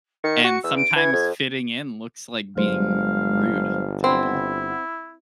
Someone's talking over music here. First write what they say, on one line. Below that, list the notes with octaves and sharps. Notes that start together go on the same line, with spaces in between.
And sometimes fitting in looks like being rude to people.
D#3 C#7
F#4 C#7
E2 E6
D7
E3 G#6
F2
G1 F#3 G#3 C5 F5
C4 E4 F#5 B5